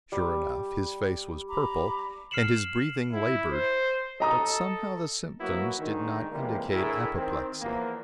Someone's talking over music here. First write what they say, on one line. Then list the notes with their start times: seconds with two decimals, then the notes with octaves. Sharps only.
Sure enough, his face was purple and his breathing laboured, but somehow the symptoms did not indicate apoplexy.
0.12 G3
1.49 A#5 B5 D6
2.31 F6 C7 C#7 E7 F#7
3.13 E4
3.52 C5
4.20 A4 D#5 A#5 D#6
5.40 F#3 A#3 B3 E4 F#4
5.79 G#2 D3 D#3
6.32 C3 E3 G3 G#3 A#3
6.71 A2 D3 E4 G#4 A#4
7.15 D#3 C4
7.61 E2 F3 A#3